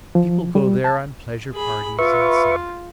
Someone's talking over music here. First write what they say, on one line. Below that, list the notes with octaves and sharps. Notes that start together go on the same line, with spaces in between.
People go there on pleasure parties in summer.
F3
G3
A5
G#4 B5
F4 B4 E5 C#6